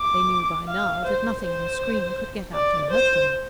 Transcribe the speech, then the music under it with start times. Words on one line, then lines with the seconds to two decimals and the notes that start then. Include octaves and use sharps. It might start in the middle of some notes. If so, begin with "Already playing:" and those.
They knew, by now, that nothing in the screen could get out and hurt them.
Already playing: D6
0.68 F5
1.05 C5
1.41 C5
2.54 D5
2.90 C5